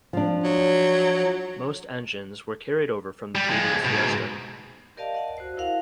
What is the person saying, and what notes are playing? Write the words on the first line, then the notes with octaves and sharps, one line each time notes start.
Most engines were carried over from the previous Fiesta.
F3 D4
F#3
G3
F3 G#3
G#2 B2
G4 A#4 D5 D#5 F5 A5
D#5 F#5 A5
F#4 C5
E4 A#4 F5 F#5